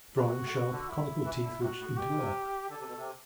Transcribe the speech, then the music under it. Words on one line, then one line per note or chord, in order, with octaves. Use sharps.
Strong sharp conical teeth which interlock.
E3 F#4
C3
A2
B2
D3
E4
E3
D3
C3 F#4
A2
B2 G4
B2
C3
D3 A4
C3
B2
C3